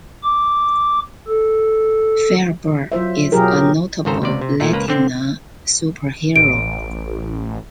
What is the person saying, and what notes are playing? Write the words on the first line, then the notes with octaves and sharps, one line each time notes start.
Firebird is a notable Latina superhero.
D6
A4
F#3 F4 C5 E5
B2 F#3 F4 G4 G#4 A#4
G#1 G#2 C#3 A4 C5 A#5
C#2 C3 D5
C3
A#2 A3
C#2 A#3 B4 A#5
D3 C4
A1 D7